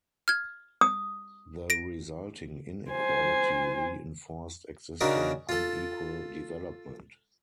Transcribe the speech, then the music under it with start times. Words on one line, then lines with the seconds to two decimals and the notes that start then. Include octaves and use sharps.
The resulting inequality reinforced existing unequal development.
0.28 F6 G#6
0.81 D#6
1.70 A#6 D7
2.91 C5 G#5
5.01 C#3 D4 D#4 F#4 A#4
5.49 F4 A4